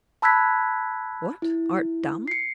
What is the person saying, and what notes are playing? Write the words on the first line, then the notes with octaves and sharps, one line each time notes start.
What, art dumb?
A5 B5 E6 F#6 G#6 B6
E4
C7 C#7